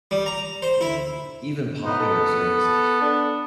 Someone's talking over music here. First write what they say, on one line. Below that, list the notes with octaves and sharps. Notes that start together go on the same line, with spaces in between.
you know, even popular services.
G3
A#5
C5
E4
B3 D#4
A4
D4